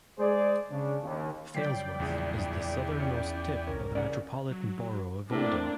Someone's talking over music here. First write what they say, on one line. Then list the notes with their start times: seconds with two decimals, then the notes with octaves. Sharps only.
Failsworth is the southernmost tip of the Metropolitan Borough of Oldham.
0.19 G#3 G#4 C5 D5
0.70 C#3 D4
1.02 D#2
1.55 C#2 F#3 G3 D5 G5 B6 C7
2.00 A#1 E2 C#3 G#4
3.00 A#2 C#4
3.67 C2 C#4 A#4 C#5
3.95 C#3 C#4 D5 F#5
4.50 F#3
5.31 A2 A#3 C4 D4